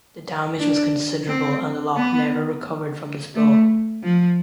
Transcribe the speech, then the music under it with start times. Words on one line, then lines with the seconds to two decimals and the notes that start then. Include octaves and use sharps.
The damage was considerable and the lock never recovered from this blow.
0.59 D4
1.28 C4
1.96 B3
3.35 A3
4.03 F3